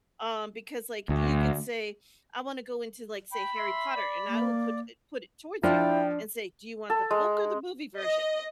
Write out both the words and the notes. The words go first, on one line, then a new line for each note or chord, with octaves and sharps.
um, because like you could say, "I wanna go into like, say Harry Potter," and I will put it put it towards you and say, do you want the book or the movie version?
D2
G5 B5
E5 C6
D5
A#3
F3 D4 E4 G5
A4
G#3
D#5